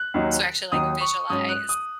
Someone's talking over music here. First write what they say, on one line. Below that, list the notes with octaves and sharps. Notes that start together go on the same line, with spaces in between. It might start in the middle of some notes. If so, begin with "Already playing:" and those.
So actually, like, visualize
Already playing: F#6
D#2 D#3 F#3 D#4
D#2 D#3 F#3 D#4 D#6
C#6
G#2 F#3 C#4 D#6
F#6
D#6